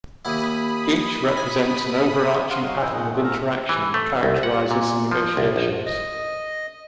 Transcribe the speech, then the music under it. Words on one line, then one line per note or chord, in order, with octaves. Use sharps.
Each represents an overarching pattern of interaction that characterizes the negotiations.
D#2 E4 B5 D#6
G#5
F5 F#5 C6
F#3 F#4 D#5 F5
E3 E4 C5 D#5
A#2 D#4 G#4 F#5
A#2 D3 A3 C4
A4 F5 A#5
E3
A3
C2
F#5
A#2
F3
C2
A#1
D#5